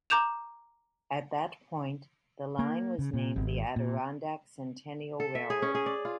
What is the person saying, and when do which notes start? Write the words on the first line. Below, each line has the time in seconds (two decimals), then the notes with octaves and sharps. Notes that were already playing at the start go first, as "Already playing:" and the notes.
At that point, the line was named the Adirondack Centennial Railroad.
0.10 A#5 D6 G6 E7 F7
2.59 A#3
2.99 C#3
3.14 A#2
3.36 G#1
3.76 A#2
5.20 A4
5.35 E5
5.50 G#4
5.62 C#4
5.75 G#4
5.86 D5
6.05 F4